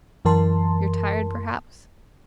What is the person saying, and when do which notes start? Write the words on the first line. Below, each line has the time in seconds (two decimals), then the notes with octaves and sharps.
You're tired perhaps?
0.25 F#2 E3 A#4 A5 C6